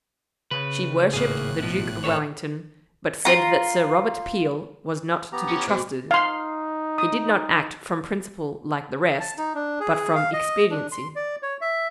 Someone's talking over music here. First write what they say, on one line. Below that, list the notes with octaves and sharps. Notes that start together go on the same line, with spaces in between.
She worshipped the Duke of Wellington, but said that Sir Robert Peel was not to be trusted; he did not act from principle like the rest, but from expediency.
C#3 B4
G#1 A2 A#3 G#4 F#6
B2 F3
D#4 A4 C#5
F4 A#5
B3 G4 A#5
C#4 C#5
B2 F#4 C5 D6
D#4 F5 C6
D#6
A5
D#4
D4
G#4
F5
D#5
D4
C6
D5
C#5
E5